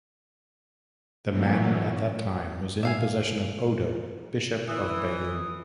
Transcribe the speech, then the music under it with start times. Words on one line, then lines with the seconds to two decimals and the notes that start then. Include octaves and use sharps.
The manor at that time was in the possession of Odo, Bishop of Bayeux.
1.27 B2 E3 F#3 A3 A#3 C#4
2.83 E5 F5 G#5
4.69 E3 D#6